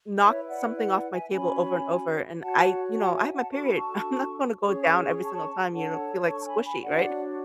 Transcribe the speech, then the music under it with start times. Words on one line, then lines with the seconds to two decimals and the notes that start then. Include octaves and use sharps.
knocked something off my table over and over, and I, you know, I have my period, I'm not gonna go down every single time you don't feel like squishy, right?
0.21 E4 B4 C#5 E5
0.49 D5 F#5
0.76 D5 F#5
0.94 D5 F#5
1.13 E5 G#5
1.31 C#4 F#4 C#5 G#5 B5
2.41 F#4 C#5 F#5 A5
2.97 F#5 A5
3.15 E5 G#5
3.34 F#5 A5
3.52 D4 F#4 A4 C#6
3.64 B5
3.74 A5 C#6
4.62 C#4 G#4 C#5 C#6
4.82 C#6
5.02 C#6
5.23 A5 C#6
5.72 D4 A4 C#5 F#5 A5
6.27 A5 C#6
6.39 A5
6.46 G#5 B5
6.64 G#5 B5
6.83 D4 F#4 C#5 D5 F#5